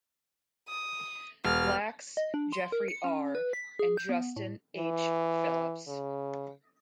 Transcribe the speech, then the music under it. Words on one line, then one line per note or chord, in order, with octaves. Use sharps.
Lax, Jeffrey R., and Justin H. Phillips.
D#6
E1 F6
D#5
D4
C6
A#4
C#7
C#4
B4
B6
G#4
G6
B3
A2
E3
C#3